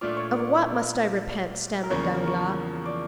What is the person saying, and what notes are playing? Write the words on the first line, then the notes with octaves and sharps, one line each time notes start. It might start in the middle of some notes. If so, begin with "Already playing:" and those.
"Of what must I repent?" stammered Danglars.
A#2 A3 D4 F4 D5
C#5
D5
A#4
E2 C#3 F3 A#3 C#5
C#5
A#4
C#5
D5